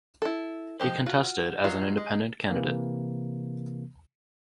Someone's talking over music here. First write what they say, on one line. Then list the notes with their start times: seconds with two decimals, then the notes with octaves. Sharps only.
He contested as an independent candidate.
0.22 E4 A4
0.80 F3 G#3 A3 G4 C5
1.06 F4 F#4
1.64 F#3 G#3 F4
1.97 G#3
2.50 C3 E3 A#3